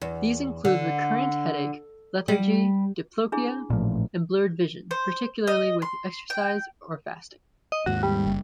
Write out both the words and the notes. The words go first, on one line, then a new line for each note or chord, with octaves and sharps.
These include recurrent headache, lethargy, diplopia, and blurred vision, particularly with exercise or fasting.
E2
D3
G3
D4 E4 G#4
A1 A#2 F3
C5
D#5
C6
G5
D#5
D#2 G#2 F#4
G3
F#1